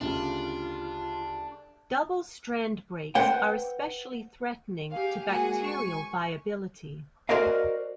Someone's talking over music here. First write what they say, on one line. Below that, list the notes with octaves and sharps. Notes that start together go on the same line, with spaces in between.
Double-strand breaks are especially threatening to bacterial viability.
D2 C#3 G3 D4 F4
B4 C5 F#5 G5
G4 G#4 F5
G#3 A#3 F#4 G#4 F#5 G#5
G#5 C#6
F#4 A#4 C5 D5 D#5 F5